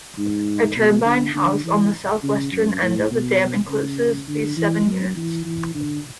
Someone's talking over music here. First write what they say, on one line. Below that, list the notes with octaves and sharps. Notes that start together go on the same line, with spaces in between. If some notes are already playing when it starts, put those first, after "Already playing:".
A turbine house, on the southwestern end of the dam, encloses these seven units.
G#2
B2
D3
D3
E3
C#3
F#2
A2
B2
C#3
D3
E3
F#3
E3
E3
D3